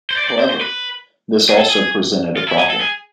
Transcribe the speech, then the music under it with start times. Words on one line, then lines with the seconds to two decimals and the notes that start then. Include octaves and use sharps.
However, this also presented a problem.
0.11 C5
0.17 D5
0.24 C5
0.29 D5
0.39 C5
0.51 C5
0.61 B4
1.49 G#4
1.59 A4
1.68 G#4
2.37 F4
2.48 E4
2.59 G#4
2.70 A4
2.81 G#4